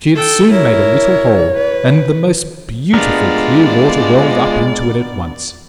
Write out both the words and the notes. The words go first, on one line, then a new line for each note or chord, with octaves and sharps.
She had soon made a little hole, and the most beautiful clear water welled up into it at once.
A4 G5
E4 A#4 C#5
B4
G#3 B3 D4 F4 G4 A#4 D5